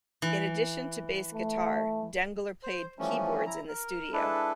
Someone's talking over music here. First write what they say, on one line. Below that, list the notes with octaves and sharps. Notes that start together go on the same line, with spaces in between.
In addition to bass guitar, Dengler played keyboards in the studio.
E3
A3
C5
E3 F3 G3 A3 C#4
E4 A#5
A#4
G#3 D4 E4 A4 B4